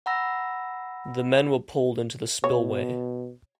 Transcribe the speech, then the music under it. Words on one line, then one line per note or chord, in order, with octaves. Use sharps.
The men were pulled into the spillway.
F#5 A#5 B5 E6 A#6
B2 C#5